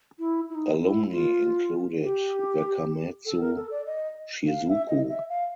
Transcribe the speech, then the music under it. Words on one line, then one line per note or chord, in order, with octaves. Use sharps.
Alumni included Wakamatsu Shizuko.
E4
E4
D#4
F4
E4
F4
G4
A4
A#4
A4
D5
D#5
F5
E5
D#5
E5
F5